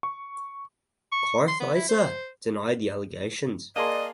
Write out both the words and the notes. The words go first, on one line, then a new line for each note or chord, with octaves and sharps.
Kartheiser denied the allegations.
C#6
C#6
C6
B3
E4
C5
A#3 G#4 D5 D#5 F5 A5 C6